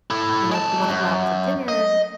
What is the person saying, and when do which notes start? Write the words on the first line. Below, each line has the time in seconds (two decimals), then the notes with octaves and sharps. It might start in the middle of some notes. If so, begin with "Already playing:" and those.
"You know, if you wanna go out to dinner"
0.10 E4 A4
0.51 G#3 A5
0.89 F#2
1.68 D#5